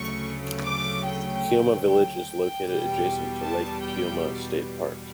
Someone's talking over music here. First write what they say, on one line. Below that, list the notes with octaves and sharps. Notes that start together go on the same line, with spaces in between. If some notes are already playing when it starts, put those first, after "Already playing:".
Keomah Village is located adjacent to Lake Keomah State Park.
Already playing: D2 C#3 F#3 A3 C#6
D6
G5
G5
E2 B2 G3
A5
G5